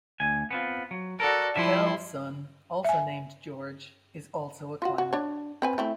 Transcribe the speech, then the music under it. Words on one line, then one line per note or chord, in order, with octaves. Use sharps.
Bell's son, also named George, is also a climber.
D2 G#5
B3 C4 F4
F#3
F#4 A4 A#4 D5
F3 G3 E4 E5 C6
E5 G#5
F4 F#4
F#4
D4 C#5
C4 B4 G#5
A3 C4 E4